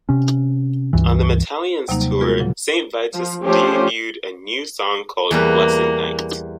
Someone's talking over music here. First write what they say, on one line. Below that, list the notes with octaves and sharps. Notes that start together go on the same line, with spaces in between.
On the Metalliance Tour, Saint Vitus debuted a new song called "Blessed Night".
C3 C#4
C#2 G2 E3
D#2 C3 F#3 G3 A#3 D#4
C3
G#3 B3 F4 F#4 G#4 A#4
A#2 C#3 F3 F#3
F3
F3 A3 C#4 D4 G4 C5
E2 G3 A#3 B4